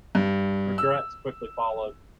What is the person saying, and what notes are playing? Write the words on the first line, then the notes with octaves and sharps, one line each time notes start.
Regrets quickly followed.
G2
E6